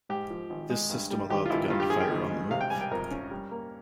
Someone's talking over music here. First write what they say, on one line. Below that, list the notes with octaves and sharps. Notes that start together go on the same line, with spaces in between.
This system allowed the gun to fire on the move.
G#2 G4
F3
G#1
G#3
G2
G3
G#1 G4
F4
G#1 E4
G2 F4
G4
F3 G#4
G5
G#1
G#3
C3 F5
G5
G3 G#5
G5
F2 A#4
C#4
G3
A#3